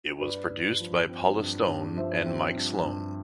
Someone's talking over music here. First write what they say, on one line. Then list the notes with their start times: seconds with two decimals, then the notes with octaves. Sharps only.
It was produced by Paula Stone and Mike Sloan.
0.21 G2 B4 D5
0.51 G2
0.80 F3
1.09 C4
1.39 G2
1.68 G2
1.97 F3 C5 E5
2.26 C4
2.55 G2
2.85 G2